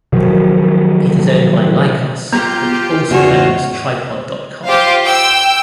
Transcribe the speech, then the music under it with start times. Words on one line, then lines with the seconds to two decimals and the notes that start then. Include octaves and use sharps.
It is owned by Lycos, which also owns Tripod dot com.
0.13 B2 D#3 F3 F#3
2.33 B3 F4 G4 A#5
3.10 E2 C#3 F4 F#4 C#5
4.66 F4 G4 C5 F5
5.05 G5 E6